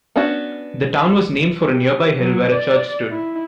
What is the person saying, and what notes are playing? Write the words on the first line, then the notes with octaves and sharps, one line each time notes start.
The town was named for a nearby hill where a church stood.
B3 C#4 D4 F#4 F#5
G4
F#3
D5
E4